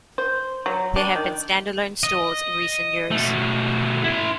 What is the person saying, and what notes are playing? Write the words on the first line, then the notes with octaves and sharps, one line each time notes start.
There have been stand-alone stores in recent years.
C5
F#3
D4
D#3
D#5
B2 A3
E4 C6